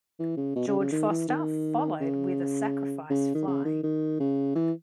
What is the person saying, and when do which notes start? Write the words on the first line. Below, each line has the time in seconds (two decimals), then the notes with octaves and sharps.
George Foster followed with a sacrifice fly.
0.20 E3
0.37 C#3
0.56 B2
0.68 C#3
0.80 C#3
0.92 D#3
1.10 E3
1.28 D#3
2.01 C#3
3.10 C#3
3.35 D#3
3.47 C#3
3.65 D#3
3.83 D#3
4.20 C#3
4.56 E3